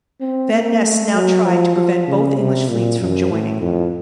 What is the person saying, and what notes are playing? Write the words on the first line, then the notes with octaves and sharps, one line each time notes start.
Van Nes now tried to prevent both English fleets from joining.
C4
A#3
A3
F#3
F3
F3
C#3
C3
A#2
F#2
A2
F2